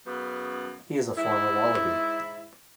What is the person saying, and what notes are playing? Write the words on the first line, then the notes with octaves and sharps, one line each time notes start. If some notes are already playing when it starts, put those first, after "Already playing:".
He is a former Wallaby.
F#2 C#3 B3
G#2 E4